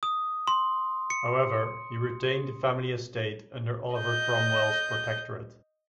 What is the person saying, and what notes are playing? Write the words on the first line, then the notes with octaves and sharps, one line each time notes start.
However he retained the family estate under Oliver Cromwell's protectorate.
D#6
C6
C#7
D#5 G6